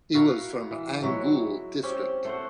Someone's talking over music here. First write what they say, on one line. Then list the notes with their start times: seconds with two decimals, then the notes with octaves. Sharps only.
He was from Angul district.
0.14 E4 F#4 A#4 F5
0.71 E3
1.02 F#3 G#3 E4 F#4
1.83 C4 C#4 G4
2.25 A3 C5 F#5